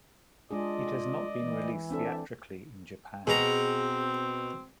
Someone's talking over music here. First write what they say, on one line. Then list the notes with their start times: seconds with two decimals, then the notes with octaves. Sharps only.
It has not been released theatrically in Japan.
0.51 G#3 D4 F4 G#4 D5 D#5
1.40 E3
1.90 C4 D4 A4 E5
3.27 B2 C4 G#4 A#5